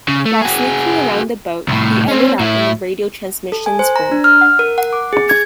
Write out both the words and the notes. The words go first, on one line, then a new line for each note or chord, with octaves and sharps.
While sneaking around the boat he ended up in the radio transmissions room.
C#3
A3
F#4 G#4
C2 A2
C4 C#4
A2 E4
A4
G#5
C5
A#5
D4
F6
F#5
A#4
F#5
D6
G#4
G#6